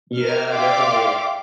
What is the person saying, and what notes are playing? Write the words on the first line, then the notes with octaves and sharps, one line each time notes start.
Yeah, definitely.
A#4 F6
D5 E5 F5 G5 C6 D6